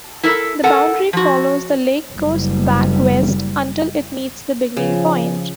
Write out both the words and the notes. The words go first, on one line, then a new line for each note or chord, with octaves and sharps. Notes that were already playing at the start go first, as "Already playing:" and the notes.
The boundary follows the lake coast back west until it meets the beginning point.
E4 A4 A#4 E5
A4 A#4 F#5 G#5
F3 F#4
F#1 G3
C#3 F3